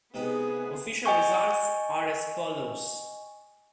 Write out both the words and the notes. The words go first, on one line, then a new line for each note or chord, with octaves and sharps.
Official results are as follows.
C3 B3 D#4 G#4 B4
D#5 G5 G#5 C#6